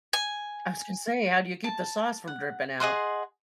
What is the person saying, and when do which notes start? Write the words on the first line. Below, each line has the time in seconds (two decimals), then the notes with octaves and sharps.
I was gonna say, how do you keep the sauce from dripping out?
0.13 G#5
1.64 A5
2.28 F#5
2.80 G#4 D#5 F#5 C6